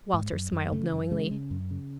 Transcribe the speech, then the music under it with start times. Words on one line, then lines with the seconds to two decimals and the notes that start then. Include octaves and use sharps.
Walter smiled knowingly.
0.14 G#2
0.32 F#2
0.53 F#2
0.72 C#3 A3
0.92 F#2
1.11 C#3 G#3
1.31 C#3
1.51 F#2
1.71 C#3